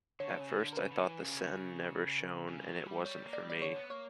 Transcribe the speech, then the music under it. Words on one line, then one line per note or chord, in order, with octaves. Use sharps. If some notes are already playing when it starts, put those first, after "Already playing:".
At first I thought the sun never shone and it wasn't for me.
D3 C#5
C#3
D3
A#4
C#3 B4
D3
E3
C#3
C#3
G3
F#3
G3
G3 C#5
A#3
D5
G3
D5
D3 C#5
B3
A#3 C#5